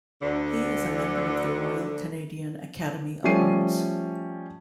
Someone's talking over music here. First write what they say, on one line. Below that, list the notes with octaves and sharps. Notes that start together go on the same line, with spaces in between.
He is a member of the Royal Canadian Academy of Arts.
D2 D3
F3 G3 A3 C#4 C7 D#7